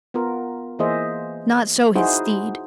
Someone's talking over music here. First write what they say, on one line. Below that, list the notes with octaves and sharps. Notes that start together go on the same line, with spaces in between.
Not so his steed.
B3 F4 A#4
E3 A#3 G#4 C5 D#5 E5
D#4 E4 F#4 G#4 C5